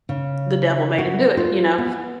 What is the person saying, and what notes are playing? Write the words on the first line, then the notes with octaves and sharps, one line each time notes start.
the devil made him do it, you know?
C#3
F#4
F4
B3